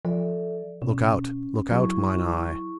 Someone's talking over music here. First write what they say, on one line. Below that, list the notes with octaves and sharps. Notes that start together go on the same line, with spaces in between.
Look out, look out, mine eye!
F3 A4 D5 E5
B2 C#4
F#3 E4 G#4 C#6